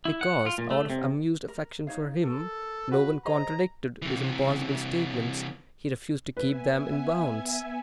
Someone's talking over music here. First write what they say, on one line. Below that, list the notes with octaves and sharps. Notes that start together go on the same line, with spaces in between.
Because, out of amused affection for him, no one contradicted his impossible statements, he refused to keep them in bounds.
E4
F#5
F4
A#2
A3
C3
A#4
D#4 C#5 F5
A4 A#4
F#4 B4
G#4 C5 D#5 A#5
C3 E3
B3 B4 E5 G#5